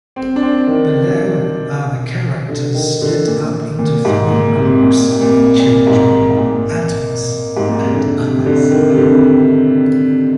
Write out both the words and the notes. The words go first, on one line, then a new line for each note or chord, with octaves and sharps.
Below are the characters split up into three groups, children, adults, and others.
C4
D4
C4
D#3
D3
D#3
D3
A#2
A#2
G#2
A#2
C3
A#2
C3
A#2
A#2
G#2
G#2
A#2
G#2
A#2
C3
D3
C3
C3
D3
D#3
C3
D3
C3